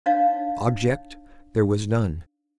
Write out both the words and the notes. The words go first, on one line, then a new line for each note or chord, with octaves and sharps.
Object there was none.
D4 D#4 C#5 F5